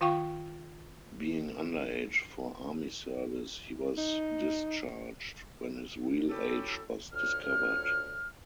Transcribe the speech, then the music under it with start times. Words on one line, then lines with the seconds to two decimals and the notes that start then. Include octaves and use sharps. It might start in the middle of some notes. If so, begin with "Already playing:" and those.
Being underage for army service, he was discharged when his real age was discovered.
0.01 D#3 F4 F5 G5 C#6
3.98 D#4
6.30 C#4 E4 F#4 G4 A4
7.13 D2 F4 C#5 F6